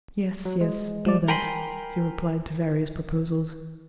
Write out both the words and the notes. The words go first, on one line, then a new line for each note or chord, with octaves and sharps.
"Yes, yes, do that," he replied to various proposals.
F#3
G#3
F3 D5
A#4 G5 G#5 B5 C6